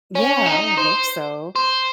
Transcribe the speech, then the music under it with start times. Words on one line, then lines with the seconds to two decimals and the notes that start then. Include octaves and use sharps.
Yeah, I would hope so.
0.15 C#4
0.46 D#4
0.77 C5
1.55 C5